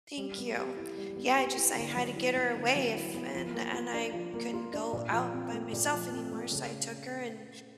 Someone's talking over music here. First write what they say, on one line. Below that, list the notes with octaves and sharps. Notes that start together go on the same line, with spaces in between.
Thank you. Yeah, I just I had to get her away if and and I couldn't go out by myself anymore, so I took her, and,
G3
B3
G4
E4
G3
B3
G4
E4
D3
F#3
E4
B3
D3
F#3
E4
B3
F3
A#3
F4
D4
F3
A#3
F4
D4
A#2
F3
C4
A3
A#2
F3
C4
A3
C#3